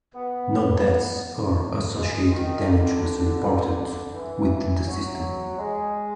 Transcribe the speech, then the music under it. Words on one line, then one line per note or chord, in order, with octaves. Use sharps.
No deaths or associated damage was reported with the system.
B3
G#3
D#3
D3
E3
F#3
G#3